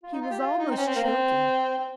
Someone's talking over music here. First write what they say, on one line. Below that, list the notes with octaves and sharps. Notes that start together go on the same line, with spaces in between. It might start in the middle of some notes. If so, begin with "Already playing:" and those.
He was almost choking.
F4
D#4
F4
G4
F4
D#4
C4
C#4
C4
A#3
C4
C4